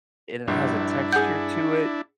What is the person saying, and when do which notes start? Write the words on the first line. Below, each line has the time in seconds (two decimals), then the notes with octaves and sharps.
it has a texture to it
0.48 A#1 G2 D4 E4
1.13 G#4 F#5 G6